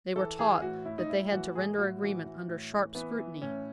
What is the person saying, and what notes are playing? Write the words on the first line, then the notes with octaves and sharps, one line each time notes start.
They were taught that they had to render agreement under sharp scrutiny.
E3 A4
E3 G#4
A2 F#4
A2 E4
D#4
A2 E4
E3 F#4
A2 G#4
A2 F#4
E3 F#4
E3
A2
E3
E3 B3
E3
A2 C#4